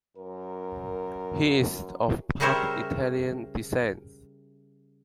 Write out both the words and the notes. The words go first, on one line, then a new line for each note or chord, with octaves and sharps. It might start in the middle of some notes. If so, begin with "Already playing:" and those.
He is of part Italian descent.
F#2 A#4
C#3 G3 A#4 C5 C#5 E5